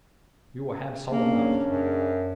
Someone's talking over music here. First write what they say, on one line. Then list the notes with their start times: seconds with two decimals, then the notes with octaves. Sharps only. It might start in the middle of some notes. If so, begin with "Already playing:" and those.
"We will have salt enough."
1.11 C#3 A#3 C#4 D4
1.69 F#2